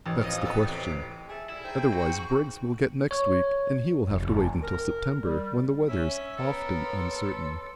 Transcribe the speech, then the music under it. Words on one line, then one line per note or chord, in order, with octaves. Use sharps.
That's the question. Otherwise Briggs will get next week, and he will have to wait until September--when the weather is often uncertain.
A1
F2 D#5
B3 A4
C3
G#4 A4 E5
G3 E4 E5
D#4 G#4 C5 G5
F#4
C#6
C#5
F1
A#4
G3
C#4 C#5 E5
B3 A4 A#4
C6